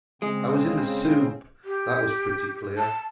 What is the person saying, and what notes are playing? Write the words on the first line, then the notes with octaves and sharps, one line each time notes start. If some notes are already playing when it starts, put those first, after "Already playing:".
I was in the soup — that was pretty clear.
C#3 G#3 C4
G4
A5